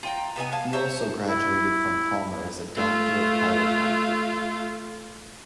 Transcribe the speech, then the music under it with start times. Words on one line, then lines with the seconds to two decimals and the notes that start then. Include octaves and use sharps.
He also graduated from Palmer as a Doctor of Chiropractic.
0.03 F4 G5 A#5
0.36 C3 B3 D#4 G#5
0.52 F5 G#5 A5
0.73 C5 C#5 E5 A#5
1.28 E4
2.76 A3 F4